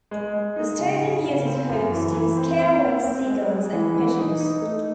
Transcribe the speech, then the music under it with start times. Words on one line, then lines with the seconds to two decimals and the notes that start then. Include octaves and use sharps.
The stadium uses hawks to scare away seagulls and pigeons.
0.11 G#3
0.33 G#3
0.56 D#4
0.79 C#3
1.01 C#3
1.24 C#3
1.46 C4
1.69 F#2
1.92 E3
2.14 E3
2.37 C4
2.59 C4
2.81 C4
3.04 C4
3.26 G#3
3.49 G#3
3.72 E3
3.94 E3
4.17 D#4
4.40 D#4
4.62 A3